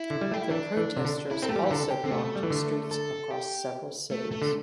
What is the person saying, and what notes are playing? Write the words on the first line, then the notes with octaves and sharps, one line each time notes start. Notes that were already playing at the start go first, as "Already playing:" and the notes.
The protesters also blocked streets across several cities.
Already playing: E4
D3
G3
A3 G4
E4
E3 D4
E3
C3
D3
E4
C4 A4
A3
G3 G4
E3 G4
D3 A4
G4
D3 C4
C3 A3
G3
E3
D3
A4
G4
A3
A3
D3